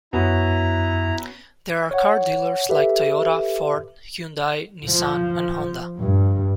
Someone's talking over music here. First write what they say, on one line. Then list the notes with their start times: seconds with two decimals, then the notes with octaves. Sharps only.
There are car dealers like Toyota, Ford, Hyundai, Nissan, and Honda.
0.13 F#2 B3 C#4 E4 F#4 A#5
1.91 C#5 F#5
2.69 G4 A4 B4 E5
4.85 F3
5.98 G2